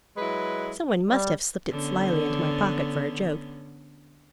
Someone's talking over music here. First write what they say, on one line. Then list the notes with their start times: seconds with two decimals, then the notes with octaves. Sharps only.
Some one must have slipped it slyly into my pocket for a joke.
0.17 F#3 G#3 E4 B4
1.06 G3
1.70 D3 B3 C#4